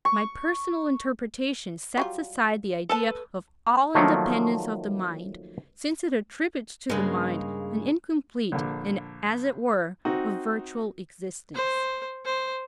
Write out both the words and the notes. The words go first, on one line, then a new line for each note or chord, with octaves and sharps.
My personal interpretation sets aside the idea of all independence of the mind, since it attributes to the mind an incomplete and, as it were, a virtual existence.
C#6
F#3 G3 F4
A4 B4 A5
D#3 F3 F#3 A3 A#3
G2 C#3 G#3 A#3 B4
A#1 D3
C4 D#4 F#4
C5
C5